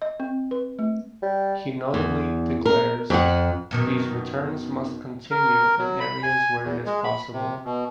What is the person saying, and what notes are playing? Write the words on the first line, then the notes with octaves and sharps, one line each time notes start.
He notably declares "These returns must continue in areas where it is possible".
D#5
C4
B4
A3
G3
E2
A#4
F2 G#4 F#5
F#2 B2 D#3
A#4
F#3
B5
G#5
E2
G#3
B5
C3
B2